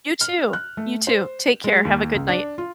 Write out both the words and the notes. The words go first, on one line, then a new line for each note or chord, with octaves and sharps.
You too, you too. Take care, have a good night.
F6
F#6
A3
C5
G#3
D#2
C#2
D4
F4